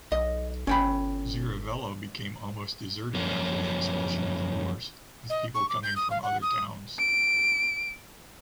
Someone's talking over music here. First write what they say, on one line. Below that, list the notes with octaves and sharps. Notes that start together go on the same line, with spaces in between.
Xirivella became almost deserted after the expulsion of the Moors, with people coming from other towns.
B1 D#5
G1 C#4 G5 B5
F#2 F3 A#3 C#4
D#5
C#6
D6
G6
D#6
F5
F#5
D#6
D7